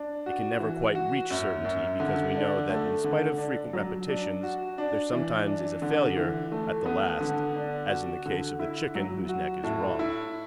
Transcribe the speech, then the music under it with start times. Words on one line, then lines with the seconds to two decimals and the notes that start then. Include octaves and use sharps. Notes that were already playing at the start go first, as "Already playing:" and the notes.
It can never quite reach certainty, because we know that in spite of frequent repetitions there sometimes is a failure at the last, as in the case of the chicken whose neck is wrung.
Already playing: D4
0.26 F#4
0.60 E3
0.95 F#4
1.30 F#2
1.65 F#2
2.00 D3
2.35 D4
2.69 A3
3.04 D3
3.38 D4
3.73 F#3
4.08 D4
4.43 F#4
4.78 D4
5.13 E3
5.47 D4
5.82 D3
6.17 E3
6.52 A3
6.86 B3
7.20 D3
7.56 D4
7.90 F#4
8.26 D3
8.59 E4
8.95 F#3
9.29 F#4
9.63 A2
9.99 E4